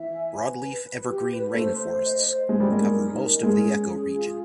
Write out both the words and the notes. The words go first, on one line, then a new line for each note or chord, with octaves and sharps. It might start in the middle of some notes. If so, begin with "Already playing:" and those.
Broadleaf evergreen rain forests cover most of the ecoregion.
Already playing: E3 E5
G#5
B4
B4
B4
G4
B4
A3 C5
C5
D#5
C5
G#3 F#4
G3
G#3 A#4
D#4
A#4
G#3 G#4
C#4
G#4
F4